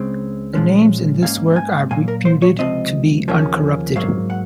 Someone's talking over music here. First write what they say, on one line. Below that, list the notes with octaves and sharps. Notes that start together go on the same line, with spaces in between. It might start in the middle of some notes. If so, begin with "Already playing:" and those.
The names in this work are reputed to be uncorrupted.
Already playing: C#2 C#3 G#3 C4
A#2 F3 G#3 C#4
G#2 F3 A#3 C#4 F5
G#5
A#2 F#3 A#3 G#5
A#4
C5
C#5
C#2 C3 F3 C4 D#5
D#2 C#3 F3 A#3 C#4
G#2 F#3 A#3 F5
F#5